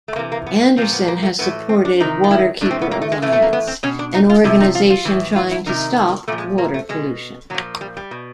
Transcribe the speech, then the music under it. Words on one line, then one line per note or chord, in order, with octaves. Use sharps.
Anderson has supported Waterkeeper Alliance, an organization trying to stop water pollution.
A3
C3 E3 A#3
A#3
B3
A#2 F3 C4
B3
A#3
A3
A2 E3 B3
C4
D4
C3 D#3 D#4
F4
E4
A2 E3 C4 D4
B3
A#3
A3
G#3
A2 E3 A3
A3
A#3
B3
C4
B2 C#4
D4
D#4
F4
C3 F3 E4
D#4
F4
F4
A2 E3
F4
E4
C3 D#3 D#4
A#2 F3 A3
G#3
A#3
A3
B2 G#3
A#2 F3 F#3
G3
G3
B2